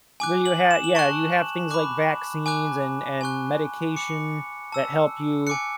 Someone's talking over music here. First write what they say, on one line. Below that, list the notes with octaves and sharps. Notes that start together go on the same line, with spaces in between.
Do you ha yeah, you have things like vaccines and and medication that help you
G#5 D6 F#6
F#7
E7
F#7
A5 C#6 F#6 E7
B5 D6 F#6
G#5 D6 F#6
G#5 C#6 F#6
B5 D6 F#6 C#7
A5 E6
G#5 D6 F#6 C#7